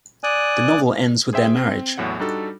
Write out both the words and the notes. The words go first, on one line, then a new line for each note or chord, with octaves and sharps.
The novel ends with their marriage.
D5 G#5 D#6 F#6
G#4 C5 E5 G5
C4
A1 E2 A2 F#3 F#5
G3 D4 D#4 F#4 A4